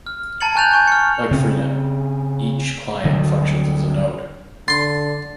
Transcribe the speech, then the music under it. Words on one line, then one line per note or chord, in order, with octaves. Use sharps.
Like Freenet, each client functions as a node.
F6
A5 A#5 G#6 A6 C#7 F#7
G#5 C#6 F#6 G6 A6 F7
G#5 C#6 G6
F6 C#7
C#3 C4 C#4
D2 D3 F#3 G3
D3 C6 A6